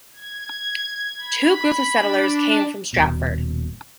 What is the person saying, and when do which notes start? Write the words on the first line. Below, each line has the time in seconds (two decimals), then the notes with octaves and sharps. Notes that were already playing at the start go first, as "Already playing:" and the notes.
Two groups of settlers came from Stratford.
0.12 G#6
1.17 B5
1.96 D4
2.93 D#1 B2